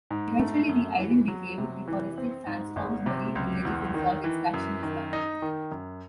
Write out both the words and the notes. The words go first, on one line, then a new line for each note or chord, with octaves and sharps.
Eventually the island became deforested, sandstorms buried villages, and salt extraction was banned.
G#2
A3
F#2
E3
F#3
C3
E3
C4
G#2
G#1
C3
C#2
E2
D#3
E3
F#2
D#3
D#4
D#3
F#2